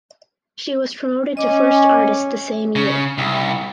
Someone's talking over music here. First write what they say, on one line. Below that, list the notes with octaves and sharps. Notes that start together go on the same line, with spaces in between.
She was promoted to First Artist the same year.
C#4 D#5 D6
C#3
C2